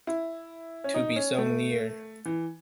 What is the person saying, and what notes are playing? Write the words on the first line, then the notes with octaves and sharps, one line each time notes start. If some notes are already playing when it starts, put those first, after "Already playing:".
To be so near.
E4
C#4
D#4
C#4
A3
E3